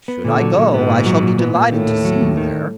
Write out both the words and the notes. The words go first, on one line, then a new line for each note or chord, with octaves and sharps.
"Should I go, I shall be delighted to see you there."
B3
A#2 D3
F#3
A#2
G#2 B3
A#2
F#3
A#2
B3
A#2
A2 D#3
D#2
F#3
D#2
D#3